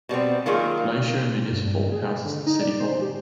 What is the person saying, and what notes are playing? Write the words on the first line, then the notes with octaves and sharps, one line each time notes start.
Palacio Municipal houses the City Hall.
B2 G3 B3 C4
D#3 F#3 A#3 F4 G#4 A#4
G2
G2
G#4
D3
D#4
D5
C5
G4